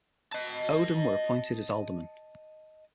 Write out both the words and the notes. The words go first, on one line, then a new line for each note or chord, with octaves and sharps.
Odum were appointed as aldermen.
D#5 A5